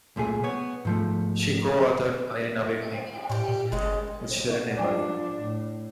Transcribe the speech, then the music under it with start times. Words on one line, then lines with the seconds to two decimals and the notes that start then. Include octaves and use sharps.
She co-authored "Iran Awakening" with Shirin Ebadi.
0.16 C2 A#2 A3 G#4
0.44 B3 C#5
0.85 G#2 F3 A3
3.29 A2 G3 G4
3.48 A#2
3.72 G1 C#3 G#3 C#4 A4
4.75 F3 D4
5.41 A2